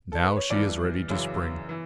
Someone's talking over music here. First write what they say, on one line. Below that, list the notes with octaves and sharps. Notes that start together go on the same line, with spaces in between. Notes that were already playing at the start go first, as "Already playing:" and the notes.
Now she is ready to spring.
A4
B4
C#5
G2 E3 D5
F#2 C#3 E3
E3